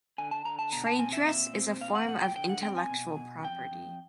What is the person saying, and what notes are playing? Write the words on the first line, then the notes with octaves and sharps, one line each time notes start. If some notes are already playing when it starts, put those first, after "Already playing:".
Trade dress is a form of intellectual property.
D3 G#5
A5
D3 A#5
A5
B2 A#5
A5
C4 G#5
E5
A#2 E5
C4
A#2 F5
F#5
A#2 F#5
G5
D3 G5
F#5
C4 G5
G#5
B2
B2
F2 G5
F2